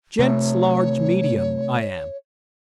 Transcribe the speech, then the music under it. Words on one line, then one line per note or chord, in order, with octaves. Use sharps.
"Gents' large medium, I am."
C3 A3 C#5